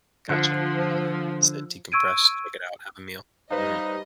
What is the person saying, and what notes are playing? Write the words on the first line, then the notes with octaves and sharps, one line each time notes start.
Gotcha, mhm. So, decompress, check it out, have a meal. Mhm.
D3 F3
C#6 E6 G#6 D7 D#7
G3 D#4 B4 C5 D#5 F5